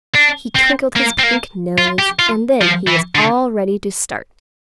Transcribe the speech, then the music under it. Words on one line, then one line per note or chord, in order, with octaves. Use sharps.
He twinkled his pink nose, and then he was all ready to start.
D4
C4
A#3
C4
A#3
F4
G4
F4
F3
E3
D3